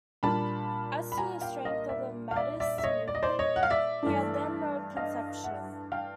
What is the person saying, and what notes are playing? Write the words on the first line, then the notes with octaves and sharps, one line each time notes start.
As to the strength of the Mahdist movement he had then no conception.
A#2 G3 A#3 D4 A5 B5
B5
G#5 A#5
F5 G5
D#5 F5
D5 E5
F5
D5 E5
D5 E5
E5
C#5 D#5
D5
D#5
C5 D5
C#5 D#5
F#5
F5
D5 E5
G2 E3 A3 D4
D#5 F5
E5 F#5
F5 G5